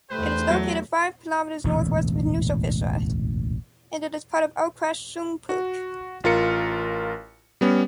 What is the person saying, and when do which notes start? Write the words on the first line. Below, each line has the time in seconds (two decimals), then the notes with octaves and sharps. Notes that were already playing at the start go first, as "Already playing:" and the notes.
It is located five kilometers northwest of Hanušovice, and it is part of Okres Šumperk.
0.11 E2 A3 G4 B4 C5
0.51 F#3
1.64 E1 A1 D2 A#2
5.49 F#4
6.24 A1 F4 A#4 C#7
7.61 G3 B3 C#4